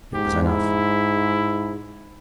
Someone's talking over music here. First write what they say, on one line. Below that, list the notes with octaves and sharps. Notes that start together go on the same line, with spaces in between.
It was enough.
G#2 G4
E4